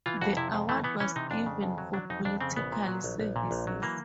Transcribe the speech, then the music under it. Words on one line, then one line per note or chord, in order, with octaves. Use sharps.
The award was given 'for political services'.
E3 F4
F2 F#4
C3 E4
F2
E3 A3
E3 B3
E3 C#4
C3 D#4
F2 D4
C#3
F2
F#3
F#3 D4
F2 D#4
F2 D4
C#3 C4
A#1 B3
A#2
F#3
A#1
A#1
A#2
A#1
F#3
E3 A#3